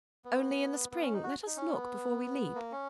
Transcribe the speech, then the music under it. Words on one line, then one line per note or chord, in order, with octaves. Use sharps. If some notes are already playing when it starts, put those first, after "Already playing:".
Only, in the spring, let us look before we leap.
B3
B3
C#4
D#4
F#4
D#4
C#4
B3
A#3
C#4